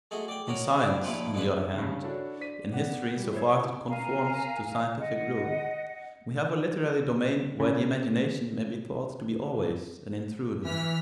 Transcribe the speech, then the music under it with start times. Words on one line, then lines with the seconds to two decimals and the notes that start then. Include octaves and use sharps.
In science, on the other hand, in history so far as it conforms to scientific rule, we have a literary domain where the imagination may be thought to be always an intruder.
0.11 G#3 A3 F#4 G#4
0.28 D5 G5
0.47 C#4 D#4 F#4 A#4
0.77 C4 D4
1.03 D#2 A#2 D#3 F3 E4 F4
1.34 D3 E3 A#3 D#4 G#4 B4
1.75 G2 C#3
2.03 D4 E4 F#4 A4 C#5
2.40 C5 D5 B6 D#7
2.71 B3 D5 F#5
3.18 G3
3.33 E4 C5 C#5 G#6
3.88 A#4 F5 G#5 A#5
4.98 D#5 F#5
7.60 C#3
10.65 E3 F6 B6